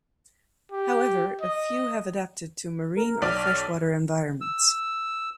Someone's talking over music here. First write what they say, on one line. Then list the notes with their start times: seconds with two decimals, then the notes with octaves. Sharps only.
However, a few have adapted to marine or freshwater environments.
0.72 G4
1.41 D#5
2.96 A#4
3.22 B1 D5 F6
4.41 E6